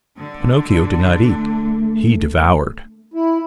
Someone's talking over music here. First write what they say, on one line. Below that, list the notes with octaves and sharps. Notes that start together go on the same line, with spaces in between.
Pinocchio did not eat; he devoured.
D3 D4
A3
E4